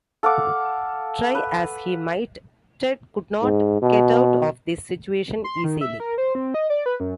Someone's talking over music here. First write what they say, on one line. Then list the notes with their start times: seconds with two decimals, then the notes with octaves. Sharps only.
Try as he might Ted could not get out of this situation easily.
0.23 A4 F5 F#5 D6
1.35 B4
3.42 G#2
3.82 B2
5.44 C6
5.64 D#3
5.81 E5
6.00 A#4
6.18 C5
6.35 C4
6.54 D#5
6.70 D5
6.86 B4
7.00 F#2